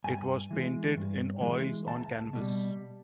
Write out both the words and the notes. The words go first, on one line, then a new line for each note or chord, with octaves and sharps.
It was painted in oils on canvas.
G2 G#5
E3 G#3
G2
E3 G#3
C#2 A5
B2 G3